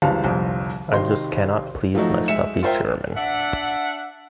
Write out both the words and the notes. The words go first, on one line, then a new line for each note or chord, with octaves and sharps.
I just cannot please my stuffy chairman.
G#1 C#2 E3 G3 F5 A5
G1 C2 F2
G#1 C3 D#3 D#5 C6
F3 F#3 A3 D#4 F#4
G#3 E5 C#7 E7
F4 A#4 C5 E5 G5
D4 E5 F#5